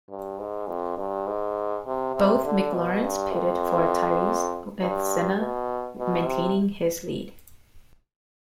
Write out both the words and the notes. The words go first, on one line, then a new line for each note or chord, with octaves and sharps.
Both McLarens pitted for tyres with Senna maintaining his lead.
G2
G#2
F2
G2
G#2
C3
C3
D3
B2
G2
F2
G2
B2
B2
C3